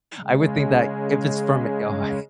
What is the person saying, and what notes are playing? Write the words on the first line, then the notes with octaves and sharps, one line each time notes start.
I would think that if it's from a guy
C#3 G#3